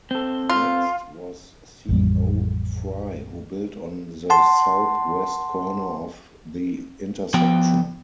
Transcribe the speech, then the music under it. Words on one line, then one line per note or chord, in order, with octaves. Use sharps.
Next was C. O. Fry who built on the southwest corner of the intersection.
C4 A4
F4
A1 F2 G3
F#5 A5 C6
F3 B3 G5